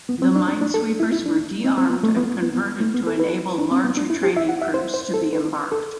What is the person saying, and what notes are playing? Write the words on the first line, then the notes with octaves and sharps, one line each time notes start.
The Minesweepers were de-armed and converted to enable larger training crews to be embarked.
B3
C4
D4
D4
D4
A4
E4
E4
D4
C4
C4
B3
A3
B3
B3
B3
B3
A3
B3
A4
B4
D4
C4
B3
D4
E4
G4
E5
F#5
E5
C5
C5
A4
B4
A4